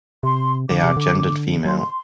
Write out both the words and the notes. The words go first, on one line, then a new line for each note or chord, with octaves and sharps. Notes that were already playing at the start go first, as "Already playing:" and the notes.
They are gendered female.
C3 C6
D3 D6
C3
D3
F#3 C6